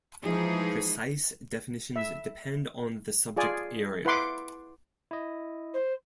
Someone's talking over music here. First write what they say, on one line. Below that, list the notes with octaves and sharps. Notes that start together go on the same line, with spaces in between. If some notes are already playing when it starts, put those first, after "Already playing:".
Precise definitions depend on the subject area.
E3 F3 G#3 D#4 G#4
E5
F4 G#4 D5 G#5
E4 B4 F#5 C6 D6
E4 D#5
C5